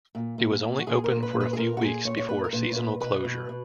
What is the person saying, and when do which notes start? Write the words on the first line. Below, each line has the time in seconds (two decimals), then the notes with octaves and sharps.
It was only open for a few weeks before seasonal closure.
0.15 A#2
0.38 A#2
0.62 A#2
0.79 F#4
0.87 A#2 G#4
1.04 A#4
1.10 A#2
1.23 B4
1.33 A#2
1.40 B4
1.53 G#4
1.58 A#2 A#4
1.77 F#4
1.81 A#2 G#4
2.05 A#2 C#5
2.17 C#5
2.29 A#2 B4
2.44 A#4
2.53 A#2 B4
2.72 C#5
2.76 A#2 B4
3.00 B2 B4
3.24 B2
3.49 B2